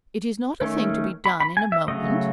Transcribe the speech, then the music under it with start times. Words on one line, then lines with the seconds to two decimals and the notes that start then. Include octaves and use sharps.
'It is not a thing to be done in a moment.'
0.61 D#3 A3 C#4
1.26 B5
1.40 B5
1.57 G#5
1.72 E5
1.88 C#3 F#3 A3 D#5